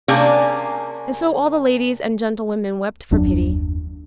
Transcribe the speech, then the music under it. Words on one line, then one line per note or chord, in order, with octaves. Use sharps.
And so all the ladies and gentlewomen wept for pity.
C3 A#3 C#4 D4 G#4
F#1 D#2 F#3 D4